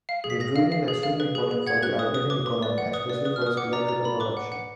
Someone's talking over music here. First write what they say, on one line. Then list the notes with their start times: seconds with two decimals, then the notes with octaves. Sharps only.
The Drin is extremely important for the Albanian economy, especially for its electrical production.
0.09 F5
0.24 G#4
0.30 B6
0.40 G#4 A#6
0.56 F5
0.72 F5
0.88 G#4
1.03 F5
1.20 B4
1.35 G#4
1.51 G#4
1.67 F#5 G#6
1.83 B4 F#6
1.99 B4 D#6
2.14 B4 D#6
2.30 B4 D6
2.46 B4
2.63 D5
2.78 F#5
2.93 B4 D#6
3.10 D5
3.25 B4 D#6
3.36 F6
3.42 B4 D#6
3.57 F#5 D6
3.73 D5 A#5
3.88 D5 A#5
4.04 D5 B5
4.20 B4 D6
4.37 F#5
4.52 F#5